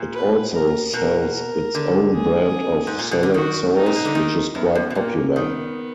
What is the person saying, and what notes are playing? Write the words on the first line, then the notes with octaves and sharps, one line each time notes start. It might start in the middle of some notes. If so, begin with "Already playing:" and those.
It also sells its own brand of salad sauce, which is quite popular.
Already playing: A#2
B4
A#4
B2 A#4
A#4
D3
G#4
G#2
A#2
B2
D3
D#3 F#4
D#4
A#2
B2
D3
D#3
F#2 B3
F#2
B2
A#2 A#3
D#3 B3